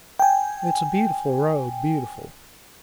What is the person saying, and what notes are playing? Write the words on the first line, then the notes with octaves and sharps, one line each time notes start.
It's a beautiful road, beautiful.
G5 G#5